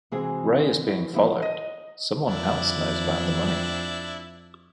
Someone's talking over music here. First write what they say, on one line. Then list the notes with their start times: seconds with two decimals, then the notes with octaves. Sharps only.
Ray is being followed; someone else knows about the money.
0.12 C3 E3 G#3 C4 F#4 G#4
0.86 F#2 E4
1.13 E2 F3 B3 E4 G4 E5
1.42 D#5
2.26 F2 D4 E4